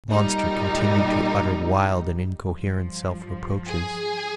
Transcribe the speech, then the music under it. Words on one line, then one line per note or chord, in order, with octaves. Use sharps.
The monster continued to utter wild and incoherent self-reproaches.
A#2 G3 D#4
G2 F3
G#4